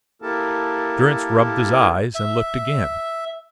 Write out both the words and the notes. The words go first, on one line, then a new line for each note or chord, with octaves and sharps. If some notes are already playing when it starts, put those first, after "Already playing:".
Durrance rubbed his eyes and looked again.
A#3 E4 G4 A4 A#4 A5
E5